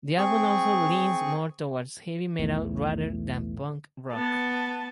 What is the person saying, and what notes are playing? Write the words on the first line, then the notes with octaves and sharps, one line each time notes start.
The album also leans more towards heavy metal rather than punk rock.
C4 G#4 C#6
B1 E2 A2
B3 A5